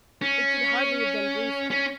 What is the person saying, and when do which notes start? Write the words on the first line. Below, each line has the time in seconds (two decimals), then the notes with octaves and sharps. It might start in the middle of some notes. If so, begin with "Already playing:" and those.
It could hardly have been briefer.
0.22 C#4
1.71 C#4